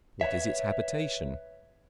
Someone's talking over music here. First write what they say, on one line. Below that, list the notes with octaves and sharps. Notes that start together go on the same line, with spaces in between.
What is its habitation?
B4 C#5 E5